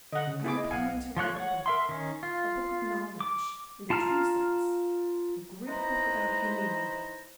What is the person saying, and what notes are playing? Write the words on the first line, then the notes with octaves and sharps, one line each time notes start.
I am planning to write a book--a book of knowledge, in the true sense--a great book about human life.
D3 D#5 F#5
C#3
E4 G#4 D6
D#5
B1 F5 F#5 G#5
F3 F4 C#5 F#6
C#5 F#5
A#4 E5 C6
D#3 C#4
F4
D6
F4 A5 A#5 F6
D#4 E4 B4 C5 A#5